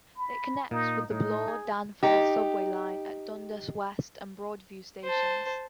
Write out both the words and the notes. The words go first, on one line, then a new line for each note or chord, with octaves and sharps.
It connects with the Bloor-Danforth subway line at Dundas West and Broadview stations.
B5
A#2 D#4
A2 D#4
G#4
D#4 G4
C5 A5